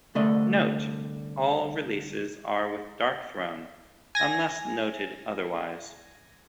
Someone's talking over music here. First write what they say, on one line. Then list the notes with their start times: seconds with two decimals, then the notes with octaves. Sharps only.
Note: All releases are with Darkthrone, unless noted otherwise.
0.15 C2 D3 A3 D4 D#5
4.15 G#5 A#6